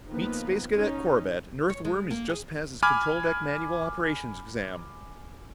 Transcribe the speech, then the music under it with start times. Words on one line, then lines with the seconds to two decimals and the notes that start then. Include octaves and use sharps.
"Meet Space Cadet Corbett--an Earthworm who's just passed his control-deck manual operations exam!"
0.10 D#3 F3 A#3 B3 B4
0.76 C#4 D#4
1.70 C#5
1.85 G#3
2.11 A#3
2.29 G#4
2.83 G#5 B5 D6 F6 G#6